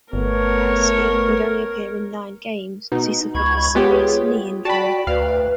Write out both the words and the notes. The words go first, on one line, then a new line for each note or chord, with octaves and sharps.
Berehowsky would only appear in nine games as he suffered a serious knee injury.
G1 A3 B3 A#4 C#5
B2 D#4
C#2 B5 C#6 G#6
G#3 B3 F4 G4 G#4 C#5
F#4 D5 G5 A5 B5
D2 B4 F5